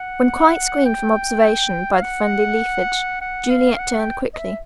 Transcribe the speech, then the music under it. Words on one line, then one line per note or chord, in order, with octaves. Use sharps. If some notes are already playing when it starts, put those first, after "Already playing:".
When quite screened from observation by the friendly leafage, Juliet turned quickly.
Already playing: F#5
G5
F5
F#5
F#5
F5
F#5
G5
D#5
E5